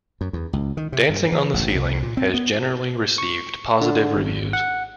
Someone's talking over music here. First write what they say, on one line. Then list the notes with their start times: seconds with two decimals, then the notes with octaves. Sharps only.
"Dancing on the Ceiling" has generally received positive reviews.
0.21 F#2
0.33 E2
0.53 C#2
0.77 D#3
0.92 C3
1.10 G2
1.32 E3
1.54 A1
1.75 C2
2.03 A#2
2.17 C4
2.34 B3
3.18 C#6
3.81 D3
4.16 G#1
4.53 F#5